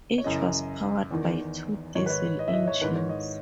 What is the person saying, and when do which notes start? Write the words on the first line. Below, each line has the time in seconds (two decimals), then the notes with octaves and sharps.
Each was powered by two diesel engines.
0.18 C#5
0.24 F#2 C#3 E3 D#5
1.11 E2 D#3
1.95 G#2 D#3 C#5
2.06 B4
2.10 C#5
2.39 D#5
2.48 E5
2.53 D#5
2.68 C#5
2.81 G#2 D#3 B4
2.96 C#5
3.09 D#5